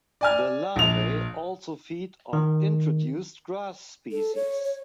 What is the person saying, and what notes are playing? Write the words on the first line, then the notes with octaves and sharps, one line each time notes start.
The larvae also feed on introduced grass species.
D5 G#5 F6
A#1 F7
D#3
A4
C#5
C#5